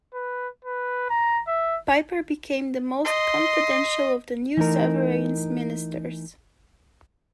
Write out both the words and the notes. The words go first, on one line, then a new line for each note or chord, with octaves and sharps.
Piper became the most confidential of the new sovereign's ministers.
B4
B4
A#5
E5
D#5 C6
E3 A3 D#4 A#4